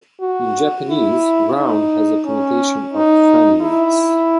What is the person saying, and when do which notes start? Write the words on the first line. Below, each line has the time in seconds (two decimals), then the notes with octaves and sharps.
In Japanese, round has a connotation of friendliness.
0.21 F#4
0.89 E4
1.57 D#4
2.25 C#4
2.93 D#4
3.61 E4